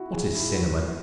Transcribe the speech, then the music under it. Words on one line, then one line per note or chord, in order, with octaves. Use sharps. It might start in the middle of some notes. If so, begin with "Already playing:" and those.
What is Cinnamon?
Already playing: E4 F#4
G#4
E4
F#4